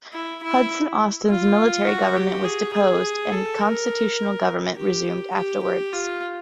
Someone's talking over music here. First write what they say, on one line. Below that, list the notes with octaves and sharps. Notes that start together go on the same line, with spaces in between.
Hudson Austin's military government was deposed and constitutional government resumed afterward.
E4
E4
F4
F#4
G4
G#4
G#4
A4
A#4
G4
G4
G4
F4